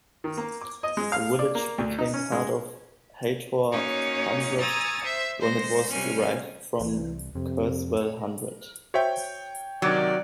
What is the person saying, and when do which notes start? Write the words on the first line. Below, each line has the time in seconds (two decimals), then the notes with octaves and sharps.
The village became part of Haytor Hundred when it was derived from Kerswell Hundred.
0.24 D#3
0.37 A#3
0.61 D6
0.83 D#5
0.97 G#3
1.12 F5
1.39 D5
1.55 A#3
1.78 D2
1.99 D#4
2.14 C#4
2.32 G#3
3.72 A#3 C#4 D#4 F#4 C#5
4.60 G#5 A#5 C#6 D#6 E6 A6
5.04 C5 E5
5.40 G#3 C5 A#6
5.90 C3 G3 C#4 G#5 F6
6.80 C2 E3
7.35 F2 C3
8.94 F#4 C5 C#5 E5 G5
9.82 C3 D#3 F#3 D5